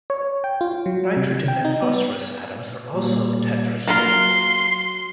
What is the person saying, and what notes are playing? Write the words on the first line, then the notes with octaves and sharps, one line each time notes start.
Nitrogen and phosphorus atoms are also tetrahedral.
C#5
G5
F4
F#3
C3
G5
D#4
B3
A#2 G3
F#3 A#3 F4 A#4 C6